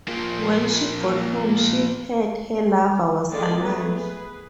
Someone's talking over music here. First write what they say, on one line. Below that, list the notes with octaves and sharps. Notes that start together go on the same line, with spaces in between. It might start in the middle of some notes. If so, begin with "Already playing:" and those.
When she got home, she heard her lover was alive.
F3 A#3
D3 D#3 G#3 F4 G#4 D5
A3 B3 G#4 B4
G#4 B4